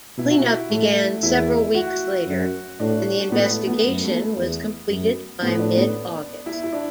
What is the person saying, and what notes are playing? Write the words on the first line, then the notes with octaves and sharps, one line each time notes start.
Cleanup began several weeks later, and the investigation was completed by mid-August.
B2 E4
F#4
E4
A2 A3
E2 E4
F#4
F#2
A2 D4
A2 B3
A3
B3
F#2
A3
B3
E2
F#2
A2 B3
D4
D4
B3
E4
E4
D4